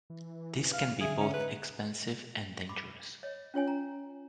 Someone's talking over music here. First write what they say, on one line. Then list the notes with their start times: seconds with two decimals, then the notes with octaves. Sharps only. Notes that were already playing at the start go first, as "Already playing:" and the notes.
This can be both expensive and dangerous.
0.10 E3
0.73 F5
1.01 D3 G#4 E5
1.21 C#4 E5
1.34 B4
2.69 B5 D6
3.23 C#5 D#5
3.54 C#4 F4 C#5 G#5
3.67 A#5